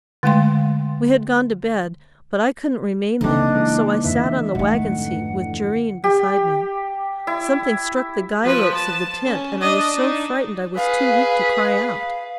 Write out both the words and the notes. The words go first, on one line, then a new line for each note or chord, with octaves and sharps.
We had gone to bed, but I couldn't remain there; so I sat on the wagon-seat with Jerrine beside me. Something struck the guy ropes of the tent, and I was so frightened I was too weak to cry out.
D3 G#3 A3 F5 G5 C6
C#3 E3 A3 A#3 C4 D4 D#4
E3 G#3
F2 D3 E3 E5
G#2 A3 F#5
G4
E4
F3 B4
A5
C#4
D4 D#5
D4 D#4
G#4 B4 F5